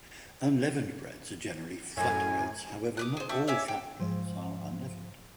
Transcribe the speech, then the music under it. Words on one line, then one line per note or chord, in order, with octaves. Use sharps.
Unleavened breads are generally flat breads; however, not all flat breads are unleavened.
F#2 A2 G#5
D6 D#6 F#6
G#4 C5
D4 G4 E5 C#6
C#5 E5 G#5 D6
G5
G#2 F3 C5